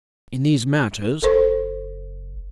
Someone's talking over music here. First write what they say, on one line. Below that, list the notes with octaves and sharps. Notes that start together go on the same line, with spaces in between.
In these matters.
F#1 A4 A#4 C5